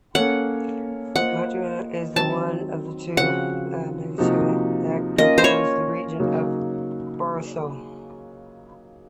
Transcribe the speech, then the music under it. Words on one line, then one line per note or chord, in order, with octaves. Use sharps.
Montalegre is one of the two municipalities that compose the region of Barroso.
A#3 C#4 A4 C#5 F#5
A#3 F4 C5 D#5 F#5
D#3 F#3 C4 D#4 A5
C#3 F3 C4 F#4 F#5
C3 F3 A#3 D#4 F#4
A#3 C#4 F4 A#4 D#5
C5
C#5
C#3 F#3 A#3 D#4 F#4